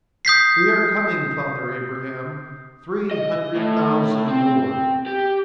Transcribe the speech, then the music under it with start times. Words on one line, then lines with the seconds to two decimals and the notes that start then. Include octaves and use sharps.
"We are coming, Father Abraham; Three hundred thousand more."
0.25 D#6 G6 B6 C7
3.11 D#5
3.56 A2
4.28 C4
5.06 G4